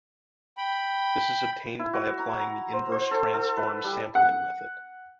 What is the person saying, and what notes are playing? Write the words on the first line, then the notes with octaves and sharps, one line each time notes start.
This is obtained by applying the inverse transform sampling-method.
G5 B5
E4
F#4
A#5
A#5
C5
C5
A4
A4
B4
G3
F#5